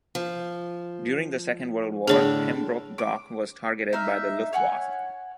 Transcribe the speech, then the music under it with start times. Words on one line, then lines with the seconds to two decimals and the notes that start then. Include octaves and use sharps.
During the Second World War Pembroke Dock was targeted by the Luftwaffe.
0.15 F3
2.07 A2 D3 D4 G#4 C#5
2.98 D6
3.93 D#4 E5 F5
4.53 C#5 F#5 G#5